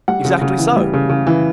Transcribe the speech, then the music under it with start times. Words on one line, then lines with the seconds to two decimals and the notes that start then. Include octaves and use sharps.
"Exactly so."
0.08 G3 F#5
0.25 C#3
0.41 C#3
0.59 E3
0.77 G3
0.93 C#3
1.09 C#3
1.27 E3